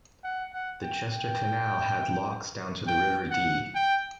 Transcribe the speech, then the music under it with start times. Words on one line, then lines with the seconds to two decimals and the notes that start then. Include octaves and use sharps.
The Chester Canal had locks down to the River Dee.
0.24 F#5
0.53 F#5
0.82 G5
1.12 G5
2.87 G5
3.31 F#5
3.75 G5